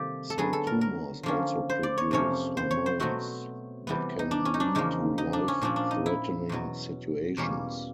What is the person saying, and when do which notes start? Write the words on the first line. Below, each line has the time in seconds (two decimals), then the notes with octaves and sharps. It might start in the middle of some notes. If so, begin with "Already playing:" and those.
Some tumors also produce hormones that can lead to life-threatening situations.
Already playing: C3 D#3 G3 A#3 G4 A4
0.30 A4
0.38 D3 F#3 B3 G#4
0.53 A4
0.67 A#4
0.81 A#4
1.23 D3 F3 A#3 C#4
1.70 C5
1.83 D5
1.98 C#5
2.11 F2 C3 F3 A#3 C#4 C#5
2.57 C5
2.71 C#5
2.86 C5
3.00 B2 F#3 A3 C4 F#4
3.87 C3 E3 G3 B3
4.19 D#4
4.31 D4
4.45 C#4
4.54 D#4
4.60 D4
4.75 E2 C#3 F3 A#3 D#4
5.18 D#4
5.33 D4
5.48 C#4
5.62 A#2 F3 A#3 C#4 D4
5.76 D4
5.91 D#4
6.06 E4
6.49 E2 B2 F#3
7.37 E2 B2 G3 A#3 C#4